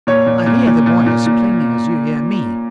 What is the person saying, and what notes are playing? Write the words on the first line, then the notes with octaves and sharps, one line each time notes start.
I hear the boy as plainly as you hear me.
A#2 C#5
A#2
A#2
A#2
A#2
A#2
A#2